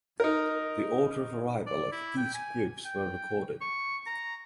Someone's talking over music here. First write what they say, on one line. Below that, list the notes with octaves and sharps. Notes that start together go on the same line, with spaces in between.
The order of arrival of each groups were recorded.
D#4 A#4
D5
E4
G5
G#5
G5
C#6
A#5